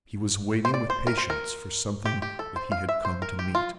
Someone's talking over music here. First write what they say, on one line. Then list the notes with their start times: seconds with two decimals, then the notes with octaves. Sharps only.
He was waiting with patience for something that he had come to meet.
0.65 C5
0.74 D5
0.90 C5
1.07 A#4
1.18 C5
1.30 A#4
2.06 G4
2.22 G4
2.39 A4
2.56 C5
2.72 F5
2.89 E5
3.05 C5
3.22 A#4
3.39 G4
3.55 F4